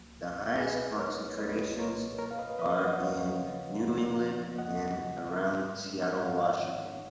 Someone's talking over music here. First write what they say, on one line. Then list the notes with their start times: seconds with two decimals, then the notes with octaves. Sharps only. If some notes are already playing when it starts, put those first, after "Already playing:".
The highest concentrations are in New England and around Seattle, Washington.
Already playing: C#2 F#3 A#3
0.19 B2
0.58 A#3 G#4 B4
0.98 F#3 A#4 C#5
1.38 C#2 B4 D#5
1.78 B2 A#4 C#5
2.19 A#3 A#4 C#5
2.31 F5
2.38 B4 D#5
2.59 F3 B4 D#5
2.78 D#5 F#5
2.99 D#2 C#5 F5
3.39 C#3
3.79 A#3
4.20 F3
4.58 D#2 D#5 F#5
4.99 C#3
5.39 G#2
5.79 G#3
6.14 F#5
6.19 G#2 C#5 F5
6.59 D#3